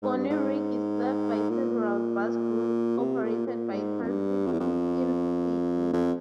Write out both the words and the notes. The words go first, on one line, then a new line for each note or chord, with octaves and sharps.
Bonnyrigg is served by several bus routes operated by Transit Systems Sydney.
G#2
G2
G#2
A#2
C3
A#2
A#2
G#2
F2
G2
F2
E2
F2
F2